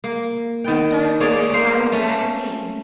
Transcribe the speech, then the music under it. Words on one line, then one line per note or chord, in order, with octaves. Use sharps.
Our start's been like firing a magazine.
A#3
D#3 G5
A#3 G#4 C#5 D5
A#3 C5 F5
A3 C#4